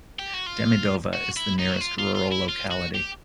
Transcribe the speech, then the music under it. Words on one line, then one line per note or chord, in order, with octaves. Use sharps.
Demidova is the nearest rural locality.
G4
F#4
F4
F#4
E4
D#4
F#4
F4
F4
F4
E4
F4
F#4
G4